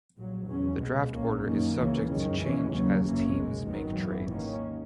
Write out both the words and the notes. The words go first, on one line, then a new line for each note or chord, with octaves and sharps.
The Draft order is subject to change as teams make trades.
A#1 A#2 F#3
E2 C#3 F#3 C#4
C#2 B2 G#3 B3
A#1 A#2 A#3 C#4
F#2 D#3 A#3 C#4
C#2 C#3 E3 A#3 C#4
F#2 D#3 G#3 C#4
D#2 C#3 E3 G#3 C#4
D#2 C#3 F#3 A#3 C#4
F#1 F#2 E3 A#3 C#4
C#2 B2 G#3
G#1 F#2 D#3 F#3 B3
G#1 F#2 E3 B3
D#2 D#3 A#3 C#4